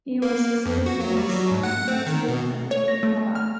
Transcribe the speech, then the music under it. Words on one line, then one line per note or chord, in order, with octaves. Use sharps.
He was succeeded by his son Nasir-ad-Din Faraj.
A#3
F2
F#4
F#3
G3
F#3
G#2
F#5
C4
D#3
B2
C#5
A#6
A3
F6